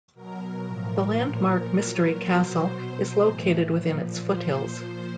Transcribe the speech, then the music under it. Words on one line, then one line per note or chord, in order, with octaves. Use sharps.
The landmark Mystery Castle is located within its foothills.
B2 F#3 A#4
A2 F3
A#2 F3
A#2 F#3
B2 F#3 C5
B2 F#3
A2 E3
A#2 F3
A#2 F3 C5
A#2 F3